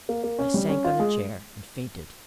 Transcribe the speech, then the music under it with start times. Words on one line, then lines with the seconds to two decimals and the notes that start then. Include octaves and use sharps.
I sank on a chair and fainted.
0.09 A#3
0.24 A#3
0.39 C#4
0.54 G3
0.69 C#4
0.84 F4
0.99 G#3